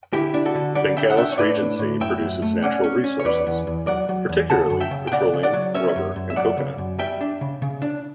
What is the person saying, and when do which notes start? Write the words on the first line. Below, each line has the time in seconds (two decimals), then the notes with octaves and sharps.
Bengkalis Regency produces natural resources, particularly petroleum, rubber, and coconut.
0.13 D3 E4 G4
0.34 D4
0.45 F#4 A4
0.55 D3
0.75 G3 D5 F#5
0.97 D4 E5 G5
1.10 F#5
1.17 D4 E5 G5
1.32 C#5
1.38 A2 B4 D5
1.59 D4
1.79 A2
2.00 F#2 E5 G5
2.21 F#2
2.42 A3
2.62 C#4 D5 F#5
2.83 C#4
3.04 C#4
3.20 C#5
3.25 E2 B4 D5
3.47 E2
3.67 E2
3.87 F#3 D5 F#5
4.09 F#3
4.29 E2
4.50 C#3 F#5 A5
4.70 F#2
4.80 E5 G5
4.91 C#3
5.07 G5
5.12 C#3 D5 F#5
5.34 C#3
5.43 D5 F#5
5.54 F#3
5.74 C#4 C#5 E5
5.96 F#2
6.16 F#2
6.30 E5
6.36 F#3 D5 F#5
6.57 C#3
6.78 F#2
6.99 G3 E5 G5
7.21 D4
7.41 C#3
7.62 C#3
7.82 D4